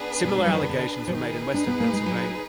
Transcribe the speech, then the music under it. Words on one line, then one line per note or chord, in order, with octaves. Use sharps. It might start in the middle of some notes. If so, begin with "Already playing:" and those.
Similar allegations were made in Western Pennsylvania.
Already playing: B3 D4 G#4 B4
B2
G#3
F#3
F3
D#3
D3
F3
D#3 D#4 G#4 B4
D4
B3
A#3
G#3
F#3